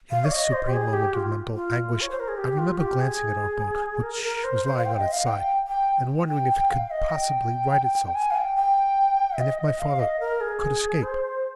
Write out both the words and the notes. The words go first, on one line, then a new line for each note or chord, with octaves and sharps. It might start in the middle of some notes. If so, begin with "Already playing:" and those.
In this supreme moment of mental anguish, I remember glancing at our boat, which was lying on its side, and wondering if it could possibly right itself, and if my father could escape.
F5
C#5
D#5
C5
G4
G#4
G4
F4
F4
C#5
C5
A#4
G#4
G4
F4
G4
G#4
A#4
A#4
C5
C5
F5
G5
D#5
F5
G5
G5
G5
G5
F5
D#5
G5
G#5
F5
G5
G5
D#5
F5
D#5
A#4
G#4
C5